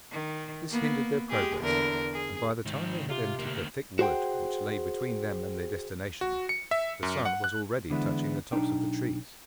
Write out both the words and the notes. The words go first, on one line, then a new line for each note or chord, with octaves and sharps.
This hindered their progress, and by the time they had entered the thick wood which lay between them and their destination the sun was already touching the tops of the trees.
D#3
A#3 B3
G#3 G4 G#4
E2 D3 A#4
G#4
G#2 D#3
C3 F4
D2 A#3
F#4 G#4 C5 F#5 G5
F#4
C#7
E5
F#2
F#5
F#6
D3 E3 G#3 B3 D4 E4
B1 D4 D#4 G5